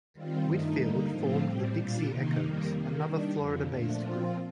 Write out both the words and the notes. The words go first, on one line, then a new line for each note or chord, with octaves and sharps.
Whitfield formed the Dixie Echoes, another Florida-based group.
D#3 G3 C4 F4
G2 D#3 A3 D#4
D3 G3 A#3 D#4
A2 F3 A3 C4 F4
A2 G3 C4
A#2 G3 D4 F4
C3 D#3 A#3 D#4
F2 D#3 G3 A#3
C3 D#3 A#3
D#3 G3 D4
F2 D3 F3
A#2 F3 A3 D4
A#2 F3 C4 F4